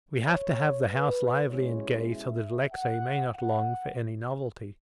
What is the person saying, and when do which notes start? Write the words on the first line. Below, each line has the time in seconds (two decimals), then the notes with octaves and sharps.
We have to have the house lively and gay, so that Alexey may not long for any novelty.
0.26 C#5
0.88 B4
1.49 B2 G#3 C#4 E4 C#5
2.11 E5
2.73 F#5
3.35 F#5